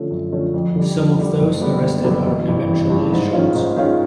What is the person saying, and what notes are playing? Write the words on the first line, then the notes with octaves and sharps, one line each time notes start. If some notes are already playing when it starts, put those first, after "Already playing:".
Some of those arrested are eventually shot.
Already playing: D3 F3 A3 C#4
F#2
D3 F3 A3 C#4
F2
D3 G3
F2
D3 G3
F#1
F#2 D3 G3 B3
F#1
F#2 D3 G3 B3
A1
G2 E3
A1
G2 E3
G#2
D#3 G#3 C#4 F4
G#2
D#3 G#3 C#4 F4